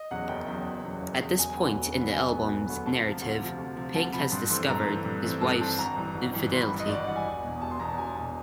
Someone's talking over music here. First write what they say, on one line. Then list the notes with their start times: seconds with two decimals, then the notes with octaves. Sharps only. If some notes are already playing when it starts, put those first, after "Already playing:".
At this point in the album's narrative, Pink has discovered his wife's infidelity.
Already playing: D#5
0.11 E2 C#3 F#3 F#5
0.28 F#1 G5
0.47 E2 C#3 F#3 G5
0.65 F#1
0.84 E2 C#3 F#3
1.02 F#1
1.20 E2 C#3 F#3
1.38 E1 G#5
1.57 D2 D3 F#3 B3
1.75 E1
1.94 D2 D3 F#3 B3
2.11 E1 G#5
2.30 D2 D3 F#3 B3
2.48 E1
2.66 D2 D3 F#3 B3
2.86 D2 A5
3.04 C3 F3
3.22 D2
3.40 C3 F3
3.58 D2
3.77 C3 F3
3.95 D2 A5
4.13 C3 F3 B5
4.32 G2 C6
4.49 E3 A3 C4 C6
4.68 G2 A#5
4.87 E3 A3 C4
5.05 G2
5.23 E3 A3 C4
5.41 G2 A5
5.60 E3 A3 C4 A5
5.78 G#1 A#5
5.97 G2 E3
6.14 G#1
6.34 G2 E3
6.51 G#1 C6
6.61 B5
6.70 G2 E3
6.79 D#5
6.88 G#1 D5
7.06 G2 E3 F#5
7.16 G#5
7.24 E1
7.43 E2 B2
7.61 E1 A5
7.71 C6
7.79 E2 A#5
7.84 B2 A5
7.98 E1 G#5
8.17 E2 B2